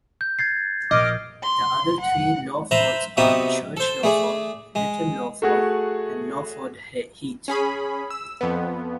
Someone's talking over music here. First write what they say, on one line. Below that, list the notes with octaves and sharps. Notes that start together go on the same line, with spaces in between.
The other three Lawfords are Church Lawford, Little Lawford and Lawford Heath.
G6
G#6 A6 C7
A#1 D#5 D6 F6
C6
F#5
B4 C5 E5 A#5 B5
C3 B3 D#4 F#4 E5 D#6
A4 C5
A3 G#4 D5
G#3
A3 F#4 G#4
C#4 G#4 B5
E6
F2 B3